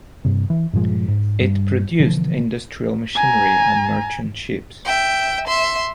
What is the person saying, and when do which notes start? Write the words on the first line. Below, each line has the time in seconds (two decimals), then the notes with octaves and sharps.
It produced industrial machinery and merchant ships.
0.25 G2 C3
0.50 E3
0.73 G2 A#2 F3 G#3
1.08 G#2
1.41 G2
2.00 B2 D3 E3 F3
3.16 G#5 A#5
4.85 E5 G5
5.47 E5 C6